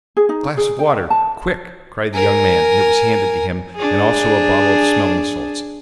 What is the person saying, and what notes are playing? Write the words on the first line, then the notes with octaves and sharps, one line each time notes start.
"A glass of water, quick!" cried the young man, and it was handed to him, and also a bottle of smelling salts.
G#4
D#4
G#4
G5
A5
A#4 G#5
D4 G#4